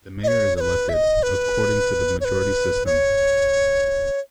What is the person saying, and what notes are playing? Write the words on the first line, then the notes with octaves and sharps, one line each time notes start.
The mayor is elected according to the majority system.
D#5
C#5
C#5
B4
E5
D#5
B4
C#5
B4
C#5